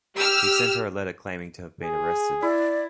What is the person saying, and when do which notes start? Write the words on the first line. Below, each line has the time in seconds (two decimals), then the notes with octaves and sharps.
He sent her a letter claiming to have been arrested.
0.18 G4 E6 F6
1.83 G#4
2.42 E4 D5